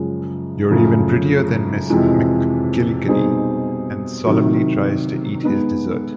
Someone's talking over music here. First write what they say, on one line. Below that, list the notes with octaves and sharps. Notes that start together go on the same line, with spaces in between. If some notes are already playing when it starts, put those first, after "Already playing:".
You're even prettier than Miss McGillicuddy, and solemnly tries to eat his dessert.
Already playing: F#2 C#3 F3 G#3
F#2 C#3 F3 A3
F2 C3 E3 G#3
B2 G3 C4 D#4 G#4
C3 D#3 F#3
G#3 B3 D#4